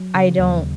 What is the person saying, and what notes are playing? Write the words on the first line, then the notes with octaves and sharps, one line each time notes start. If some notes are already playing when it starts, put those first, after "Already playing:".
I don't
Already playing: F#3
C#3
D#2